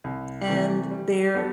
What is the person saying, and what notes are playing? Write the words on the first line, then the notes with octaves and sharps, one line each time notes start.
and they're
C2
C3 E3 A3
G3
B3 D4 F#4 A4